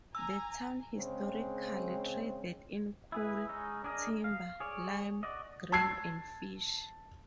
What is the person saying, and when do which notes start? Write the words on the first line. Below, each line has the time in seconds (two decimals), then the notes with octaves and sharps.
The town historically traded in coal, timber, lime, grain and fish.
0.15 G#5 A#5 E6
0.97 C#3 G#3 C4
3.12 E4 G#4 B4
3.49 G#3 C#4 D#4
3.84 D4 G#4 A#4 D#5
4.24 F5
4.60 G#4 C#5 D5
5.23 F#4 D5 D#5
5.72 A5 E6 G#6 C7